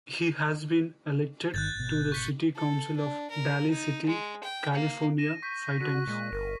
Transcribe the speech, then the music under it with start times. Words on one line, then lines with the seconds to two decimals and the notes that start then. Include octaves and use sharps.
He has been elected to the city council of Daly City, California five times.
1.54 G1 D#3 F#6 G6 A6
1.75 G#1 B2
2.12 C#6 B6 C#7
2.56 A4
2.96 D4
3.30 A#4
3.70 D#4
4.06 G#3
4.43 G5
4.73 A#3
5.18 A#6 D#7 E7
5.43 C#6 G6 B6
5.80 D3 F#4 F#6
6.07 A#2 G#3
6.32 G1 A#4